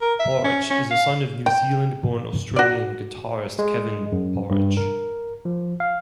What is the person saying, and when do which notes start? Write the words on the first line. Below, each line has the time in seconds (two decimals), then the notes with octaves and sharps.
Borich is a son of New Zealand-born Australian guitarist Kevin Borich.
0.01 A#4
0.19 E5
0.44 C#4
0.70 C#4
0.91 F5
1.46 G5
2.56 F#4 D5
3.59 G#3
4.12 F#2
4.51 G2
4.77 A#4
5.45 F3
5.80 F5